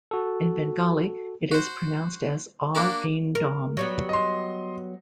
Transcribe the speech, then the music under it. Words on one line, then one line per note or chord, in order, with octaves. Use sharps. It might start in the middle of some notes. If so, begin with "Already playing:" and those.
In Bengali, it is pronounced as "Awe-Reen-Daum".
F#4 A4
F#4 C5
A#3 D4 F#4 A#4 A5
A#4
F#3 G3 B3
D#5 C6